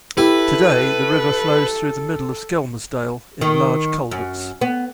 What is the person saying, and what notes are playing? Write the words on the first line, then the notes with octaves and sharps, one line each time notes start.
Today, the river flows through the middle of Skelmersdale in large culverts.
E4 G4 A4 B4
D#3
F#2
B3